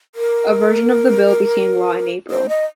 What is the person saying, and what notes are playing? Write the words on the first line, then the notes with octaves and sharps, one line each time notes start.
A version of the bill became law in April.
A#4
C5
D#5